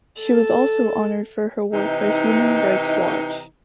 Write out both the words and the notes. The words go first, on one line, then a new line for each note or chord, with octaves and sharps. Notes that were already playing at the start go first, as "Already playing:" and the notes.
She was also honoured for her work by Human Rights Watch.
A4
C3 E3 D#4